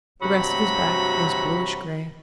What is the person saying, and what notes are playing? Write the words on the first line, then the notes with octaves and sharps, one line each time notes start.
The rest of his back was bluish-gray.
G2 C3 F#3 F#4 A#5 B5